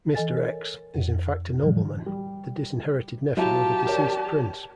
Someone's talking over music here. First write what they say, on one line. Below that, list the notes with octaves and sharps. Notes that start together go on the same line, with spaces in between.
"Mister X" is in fact a nobleman, the disinherited nephew of a deceased prince.
E3 A4 D#5 G#5 A6
A#4 C#5
F2
A2 D3 E3 F3 G3
G3
F#3 E4 F4 G4 A5
A#4 C#5 D5